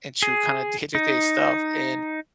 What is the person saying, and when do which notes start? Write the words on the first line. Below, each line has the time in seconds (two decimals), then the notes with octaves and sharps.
into kind of day-to day stuff, and
0.22 G#4
0.95 D#4